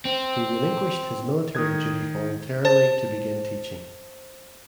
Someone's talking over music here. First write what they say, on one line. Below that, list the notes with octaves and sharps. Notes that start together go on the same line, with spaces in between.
He relinquished his Military duty voluntarily to begin teaching.
C4
D#3 D#6 G#6
C5 A5 A6